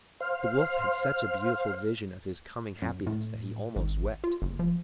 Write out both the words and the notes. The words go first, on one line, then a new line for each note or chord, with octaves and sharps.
The Wolf had such a beautiful vision of his coming happiness that he almost wept.
C5 F5
F#2
A2
G#1
F4
F#1
F3